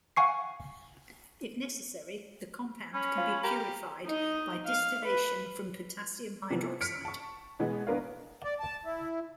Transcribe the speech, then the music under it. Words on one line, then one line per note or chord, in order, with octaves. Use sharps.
If necessary, the compound can be purified by distillation from potassium hydroxide.
F5 F#5 G#5 C#6 C7
C#4 B5
F4
G4 A#4 A#5
D#4 D#5
F5
B4
C3 E3 F3 B3
F6 B6 C#7 D7
A5 C#6
B2 E3 G#3 B3
B3 D4 A#4 B4 C#5 F5
D5
A5
E4